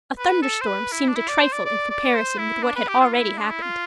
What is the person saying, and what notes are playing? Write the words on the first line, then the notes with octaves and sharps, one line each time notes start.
A thunderstorm seemed a trifle in comparison with what had already happened.
B4
A4
C5
B4
E4
D4
E4
D5
C5
D5
D5
D5
C5
E4
D4
B4
G4
F4
E4
D4
E4
F4